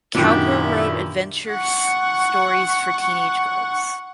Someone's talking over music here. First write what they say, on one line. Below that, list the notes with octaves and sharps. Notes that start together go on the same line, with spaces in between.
Cowper wrote adventures stories for teenage girls.
F#2 A#2 D#3 B3 D4 E4 G4 E5
F#5 C#6